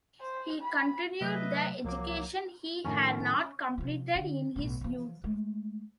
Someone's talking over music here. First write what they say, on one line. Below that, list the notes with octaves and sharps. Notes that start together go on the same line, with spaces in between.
He continued the education he had not completed in his youth.
C5
B5
C3 F#3 A3 B4 D#5 E5
C2 F3 F#3 A#3 D6
A2 D#3 F3 C#4
C3 F3
D3
B1 A2
E3 F3
G#3 A3